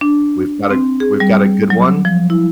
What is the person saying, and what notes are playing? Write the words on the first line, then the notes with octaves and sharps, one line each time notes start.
we've got a we've got a good one.
D4
C4
G#4
G3
F#3
F3
E4